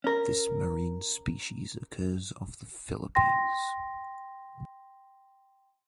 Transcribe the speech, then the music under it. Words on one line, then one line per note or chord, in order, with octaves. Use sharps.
This marine species occurs off the Philippines.
C#4 A#4
G5 C6 A#6